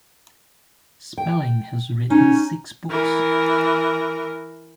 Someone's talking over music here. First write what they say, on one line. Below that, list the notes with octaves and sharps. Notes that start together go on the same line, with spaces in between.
Spelling has written six books.
G5
C#4 D#4
E3 A#4